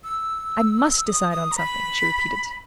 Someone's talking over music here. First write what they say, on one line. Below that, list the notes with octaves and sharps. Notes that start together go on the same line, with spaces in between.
"I MUST decide on something," she repeated.
E6
D#6
D#6
A#5
B5